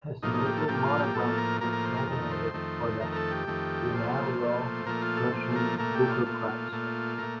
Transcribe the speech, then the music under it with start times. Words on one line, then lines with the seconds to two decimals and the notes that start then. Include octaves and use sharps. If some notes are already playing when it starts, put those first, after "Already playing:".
His novel "Monogram" was nominated for the inaugural Russian Booker Prize.
0.23 A2 F3 A#3 D#4
0.34 D#4
0.46 G4
0.58 A4
0.68 A2 F3 A#3 G4
0.85 F4
1.00 G4
1.14 A2 F3 A#3 A4
1.38 A#4
1.61 A2 F3 A#3 A#4
1.73 A#4
1.85 C5
1.97 A#4
2.07 F2 D#3 A3 A#4
2.31 C5
2.54 F2 D#3 A3
3.00 F2 D#3 A3 A#4
3.12 A#4
3.16 A4
3.31 G4
3.47 F2 D#3 A3
3.93 A#2 F3 A3 C5
4.39 A#2 F3 A3
4.86 A#2 F3 A3 A#4
5.02 F4
5.17 A4
5.32 A#2 F3 A3 C5
5.56 A#4
5.78 A#2 A3 A#4
5.95 G4
6.10 F4
6.26 A#2 A3
6.72 A#2 A3
7.18 A#2 A3 A#4